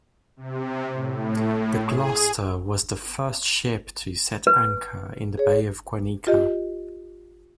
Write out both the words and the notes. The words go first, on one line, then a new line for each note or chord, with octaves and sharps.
The "Gloucester" was the first ship to set anchor in the Bay of Guanica.
C3
A2
G#4
B4
G#4 C#5
F4 G4 D#5